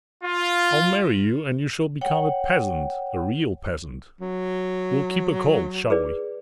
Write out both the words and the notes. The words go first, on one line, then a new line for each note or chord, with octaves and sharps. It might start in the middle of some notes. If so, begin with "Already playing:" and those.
I'll marry you, and you shall become a peasant, a real peasant; we'll keep a colt, shall we?
F4
C#5 F#5 G5
F#3
G#4 B4 D5